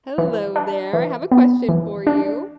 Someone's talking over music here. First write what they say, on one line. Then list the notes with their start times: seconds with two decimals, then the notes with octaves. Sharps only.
Hello there, I have a question for you.
0.18 E3
0.56 D4
0.93 E3
1.32 B3
1.69 E3
2.07 D4